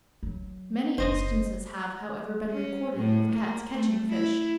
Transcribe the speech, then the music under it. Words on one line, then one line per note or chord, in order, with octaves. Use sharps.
Many instances have, however, been recorded of Cats catching fish.
F#3
F#1 C5 D#5
C#4
A2
A#3
A3
E4